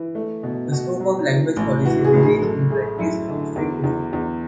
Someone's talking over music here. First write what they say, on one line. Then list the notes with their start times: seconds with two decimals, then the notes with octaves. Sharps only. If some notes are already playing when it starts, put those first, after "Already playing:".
The scope of language policy varies in practice from State to State.
Already playing: E3
0.15 A3
0.43 B2
0.72 B2 F#4
1.00 F#3
1.29 E3
1.56 A1
1.85 E3 F#4
2.04 G#4
2.14 A1
2.23 G#4
2.42 F#2 A4
2.70 A3 G#4
2.99 F#2 E4
3.28 D3
3.56 E2
3.84 E2
4.13 E2